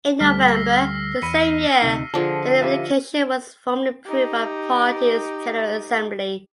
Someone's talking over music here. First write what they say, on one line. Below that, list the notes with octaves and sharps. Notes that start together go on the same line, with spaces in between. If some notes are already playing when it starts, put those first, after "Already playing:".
In November the same year, the unification was formally approved by party's general assembly.
D2 G3 A3 F6 B6
E6 A#6 C7
E2 B5 C#7 D#7
D2 C3 D#4
D3 F3 G#4 D5 A5
G4 E5 F5
D#4 G4